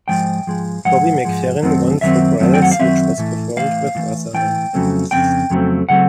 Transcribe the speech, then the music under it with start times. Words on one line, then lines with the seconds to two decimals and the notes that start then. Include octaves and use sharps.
Bobby McFerrin won for "Brothers", which was performed with Wasserman.
0.08 G#2 F3 G#3 G5
0.47 G#2 F3 G#3
0.85 G#2 F3 G#3 F#5
1.25 G#2 F3 G#3
1.63 F#2 D#3 F#3 A3 C4
2.01 F#2 D#3 F#3 C4 E5
2.40 F#2 D#3 F#3 A3 C4
2.54 G5
2.62 F#5
2.71 F5
2.79 F#2 D#3 F#3 C4 E5
3.18 A2 E3 A3
3.57 A2 E3 A3 F5
3.95 A2 E3 A3
4.33 A2 E3 A3 G5
4.73 F2 C#3 F#3 A3 C4
5.11 F2 C#3 F#3 A3 C4 G5
5.50 F2 C#3 F#3 A3 C4
5.89 C#3 F#3 A3 C4 F#5